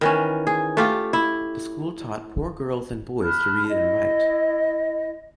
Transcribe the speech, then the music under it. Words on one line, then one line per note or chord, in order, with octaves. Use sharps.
The school taught poor girls and boys to read and write.
D#3 E3 C#4
G#4
A3 F4 G4
E4
A5 B5 F6 F#6
E4 D#5